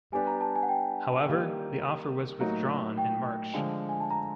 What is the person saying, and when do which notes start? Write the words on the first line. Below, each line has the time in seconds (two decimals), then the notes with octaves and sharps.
However, the offer was withdrawn in March.
0.12 G3 B3 D4 G4 G#5
0.27 A#5
0.41 A5
0.56 G#5
0.63 F#5
0.69 G5
1.26 D#3 G3 A#3 D#4 G4
2.40 A2 F#3 A#3 D#4 F#4
2.98 G5
3.54 D3 F3 G#3 G#5
3.89 G#5
4.00 A5
4.11 A#5